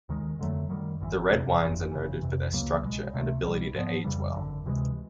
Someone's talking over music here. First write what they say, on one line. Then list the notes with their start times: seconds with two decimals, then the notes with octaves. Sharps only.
The red wines are noted for their structure and ability to age well.
0.09 D#2 D#3 G#3
0.39 F2 D3 F#3 A3
0.70 F#2 D#3 G3
1.00 G#1 F#2 C#3 E3
1.30 F1 E2 C3
1.61 G1 F2 C#3 E3
1.91 G1 F#2 C#3 E3
2.22 F#1 F2 C3 E3
2.53 C#2 C#3 F#3 A#3
2.83 C2 B2 G#3
3.13 C#2 C3 E3 A3
3.43 C2 B2 G3
3.74 G#2 F3 G#3 B3
4.04 F2 C#3 E3 G3
4.35 G#1 F#2 D3
4.66 D2 C3 E3 G#3